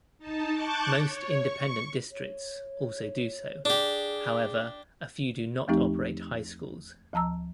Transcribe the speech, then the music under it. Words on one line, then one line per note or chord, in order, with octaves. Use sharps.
Most independent districts also do so; however, a few do not operate high schools.
D#4 A5
A5 C#6 D6 F#6 G6 A6
C#5
C#6
C#5
D4 G4 G#4
E2 F3 A3 C4 D#4 G4
D2 F3 A5 A#5 E6